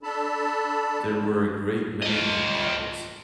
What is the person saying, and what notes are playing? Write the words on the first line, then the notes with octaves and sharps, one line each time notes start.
There were a great many ink bottles.
D4 A4 A5 B5
F4 D#5